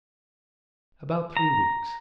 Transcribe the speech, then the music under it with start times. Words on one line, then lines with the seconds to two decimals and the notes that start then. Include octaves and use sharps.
"About three weeks."
1.37 A#5